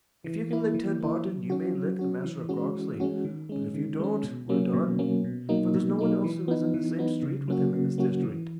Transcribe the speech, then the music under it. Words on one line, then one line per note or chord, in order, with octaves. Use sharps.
If you can lick Ted Barton you may lick the Master of Croxley, but if you don't we're done, for there's no one else who is in the same street with him in this district.
E3
A#3 E4
E3
A#3 E4
F#3
C#4 F#4
F#3
C#4 F#4
E3
G#3 C#4 F#4
E3
G#3 C#4 F#4
D#3
G#3 C#4
D#3
G#3 C#4
B2
F#3 A#3 C#4
B2
F#3 A#3 C#4
B2
F#3 A#3 D#4
B2
F#3 A#3 D#4
E3
B3 D#4
E3
B3 D#4
C#3
F#3 A#3 C#4 F#4
C#3
F#3 A#3 C#4 F#4
E3